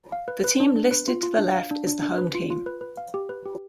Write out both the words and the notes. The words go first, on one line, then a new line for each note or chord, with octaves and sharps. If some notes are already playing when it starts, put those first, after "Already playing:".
The team listed to the left, is the home team.
F5
B4
B4
D4
D4
B4
F4
F4
D4
F5
D4
D4
D4
B4
F4
F4
B4
B4
F5
G4
B4
G4